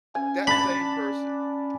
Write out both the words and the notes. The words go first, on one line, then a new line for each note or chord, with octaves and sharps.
that same person
C#4 G#5
D4 B4 A5 B5